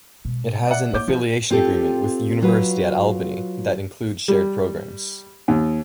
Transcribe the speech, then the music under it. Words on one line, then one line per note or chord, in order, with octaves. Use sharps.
It has an affiliation agreement with University at Albany that includes shared programs.
B2 G#3
D5 E5 F#5
A#3 C#5 D6 G6
F3 D4
C4 F4 G4 A4
F#3 F4 F#4 B4
G3
D#2